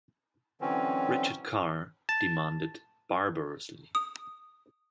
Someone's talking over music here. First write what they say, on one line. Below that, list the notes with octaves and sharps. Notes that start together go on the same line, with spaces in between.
Richard Carr demanded barbarously.
D3 E3 F#3 C4 C#4
A5
D#6